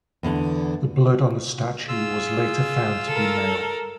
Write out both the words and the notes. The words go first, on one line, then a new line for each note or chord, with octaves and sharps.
The blood on the statue was later found to be male.
E2 D3
F4 G#4 E6
A4 A#4